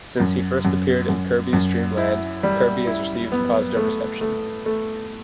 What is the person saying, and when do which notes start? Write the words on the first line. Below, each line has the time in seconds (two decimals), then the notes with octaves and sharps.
Since he first appeared in "Kirby's Dream Land", Kirby has received positive reception.
0.20 F#2
0.65 F#2
1.09 F#2
1.53 F#2
1.98 E4
2.43 G3
2.87 E4
3.32 B3
3.77 A3
4.21 A3
4.66 A3